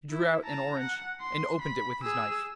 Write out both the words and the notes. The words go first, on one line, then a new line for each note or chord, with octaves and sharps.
He drew out an orange and opened it with his knife.
E4
A5 A#5
F#5
C6
B5
G#4 E6